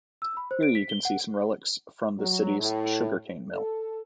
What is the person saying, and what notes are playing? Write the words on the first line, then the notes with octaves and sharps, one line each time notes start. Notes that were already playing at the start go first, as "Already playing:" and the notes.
Here you can see some relics from the city's sugar cane mill.
E6
B5
C5
D7
B6
G7
F#5
F#3
A2
A4